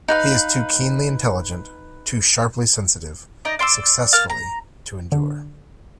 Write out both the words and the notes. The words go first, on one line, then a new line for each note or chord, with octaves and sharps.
He is too keenly intelligent, too sharply sensitive, successfully to endure.
D#4 B4 F5
D#4 D5 D#5
D5 C6 D6 E6
A#3 A5 F6
A#5
D3